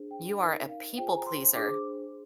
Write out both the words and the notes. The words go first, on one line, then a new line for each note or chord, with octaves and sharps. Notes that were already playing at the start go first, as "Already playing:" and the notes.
You are a people pleaser.
Already playing: D4 G#4 C5
G5
D#4 A#4 D5
F5
F4 G#4 C5 G5
G#5
A#5
C6
D4 G#4 C5 D6